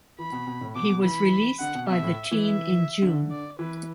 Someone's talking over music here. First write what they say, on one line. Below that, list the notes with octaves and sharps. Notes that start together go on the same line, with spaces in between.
He was released by the team in June.
E3 B5
B2
B2
A2
B2 D6
B2
E3 B5
D3 F#5
B2
B2 E5
A2
E3
E5
D3
D5
E3 B4